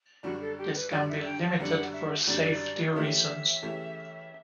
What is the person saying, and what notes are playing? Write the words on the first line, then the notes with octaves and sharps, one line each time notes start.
This can be limited for safety reasons.
F#2 D3 G3 D4 F#4
A4
G4
B4
F#2 D3 G3 D4 D5
E5
G5
A5
F#2 D3 G3 D4 F#5
E5
F#2 D3 G3 D4 D5
C#3 E3 A3 C#4 G4 E5
C#3 E3 A3 C#4 G4